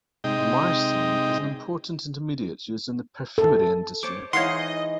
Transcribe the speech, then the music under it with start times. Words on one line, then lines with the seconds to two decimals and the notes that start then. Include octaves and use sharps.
Myrcene is an important intermediate used in the perfumery industry.
0.24 C3 G#3 D#4 D#5 G5
3.38 A4
4.03 C5 C#5 A5 D6
4.33 E3 G#3 D#4 C#5 D#5 F5 F#5 C6